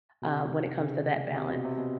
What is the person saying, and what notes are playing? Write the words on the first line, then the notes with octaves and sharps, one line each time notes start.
um, when it comes to that balance?
B2
C3
C#3
C3
B2
C3
B2